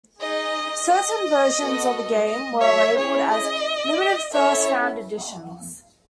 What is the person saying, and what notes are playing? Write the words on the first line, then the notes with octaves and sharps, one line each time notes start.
Certain versions of the game were labeled as "Limited First Round Editions".
D#4 G#4 D#5
D#5
B3 F#4 A4
D#5
C#5 E5
C#4 E4 G#4 C#5
D#5
C#4 E4 A4 C#5 E5